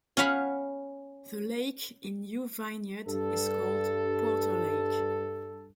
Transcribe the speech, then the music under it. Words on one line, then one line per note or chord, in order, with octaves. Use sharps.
The Lake in New Vineyard is called Porter Lake.
C#4 F5 F#5 B5
G2 A4